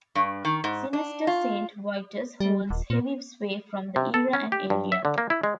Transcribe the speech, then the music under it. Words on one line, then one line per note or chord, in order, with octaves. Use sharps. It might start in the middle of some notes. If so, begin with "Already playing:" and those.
Zinester Saint Vitus holds heavy sway from the era and area.
G2
D#3
G#2
D4
F4
G3
D#1
A#2
C3
A4
C#4
G4
G2
E5
D3
A#3
E4
G#3